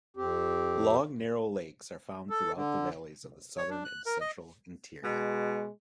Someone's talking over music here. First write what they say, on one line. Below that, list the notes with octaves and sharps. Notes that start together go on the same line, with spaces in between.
Long, narrow lakes are found throughout the valleys of the Southern and Central Interior.
F2 C4 G4
A4
D3
C#5
D4
F#6
A#4
D#5
B2 G#3